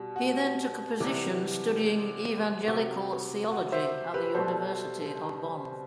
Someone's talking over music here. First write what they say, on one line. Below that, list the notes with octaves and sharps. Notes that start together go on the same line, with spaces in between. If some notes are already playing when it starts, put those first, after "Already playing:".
He then took a position studying Evangelical Theology at the University of Bonn.
Already playing: B2 G3
F#4
C3 E3 G3
C3 F#3
F#4
C5 E5
G4 B4
B2 G3 A4 C5